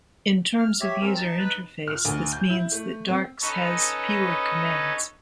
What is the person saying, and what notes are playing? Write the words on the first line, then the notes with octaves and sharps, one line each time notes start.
In terms of user interface, this means that Darcs has fewer commands.
F6
G4 C#5 E5
C4 C#4 A#4
D#4 A5
B4
F6
D2
G6
E4
A3
C4
C#4 D#4 A4 B4 C#5 D#5